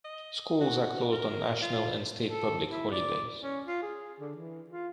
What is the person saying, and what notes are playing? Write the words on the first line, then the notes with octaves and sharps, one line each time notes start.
Schools are closed on national and state public holidays.
D#5
F#4
A#4
F4
A4
E4
D5
C#4
F4
G#4
D3
E3
F4